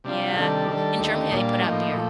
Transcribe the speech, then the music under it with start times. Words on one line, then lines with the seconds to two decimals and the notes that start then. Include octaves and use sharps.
Yeah. In Germany, they put out beer,
0.04 C3 G3 D4 F4
0.35 C3 D#3 G3 D4 A4
0.67 D#3 G3 D4 A4
0.99 D#2 D3 A3 D#4 G4
1.30 A#2 G3 A#3 D4
1.62 A2 F3 A#3 D#4
1.93 A#2 F3 A3